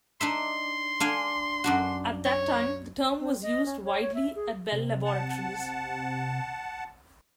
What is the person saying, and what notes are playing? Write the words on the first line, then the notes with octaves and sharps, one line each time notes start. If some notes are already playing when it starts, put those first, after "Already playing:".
At that time, the term was used widely at Bell Laboratories.
D4 D#4 E5 C6
D4 F5 G#5
F#2 D4 F#4
C#5
C4
D#5
C#4
C#5
C#5
E5
G#4
C3
F#5 A5